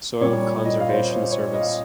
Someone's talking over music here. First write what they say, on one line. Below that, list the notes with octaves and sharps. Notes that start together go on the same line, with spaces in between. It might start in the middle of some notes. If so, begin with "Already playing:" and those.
Soil Conservation Service.
A#2 G3 C#4 C#5
D#5
F5
C5
C#5
C5
C#5
D#5
F5
D#5